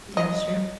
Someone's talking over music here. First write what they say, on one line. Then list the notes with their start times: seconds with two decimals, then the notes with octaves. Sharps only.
Yeah, that's true.
0.17 D#5